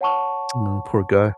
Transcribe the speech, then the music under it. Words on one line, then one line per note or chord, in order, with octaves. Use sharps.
No, poor guy.
C#5 F#5 A5 C#6